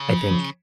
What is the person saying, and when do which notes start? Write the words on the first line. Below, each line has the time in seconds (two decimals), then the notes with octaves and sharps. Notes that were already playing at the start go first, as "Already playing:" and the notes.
I think
Already playing: C#3
0.09 F3
0.31 F3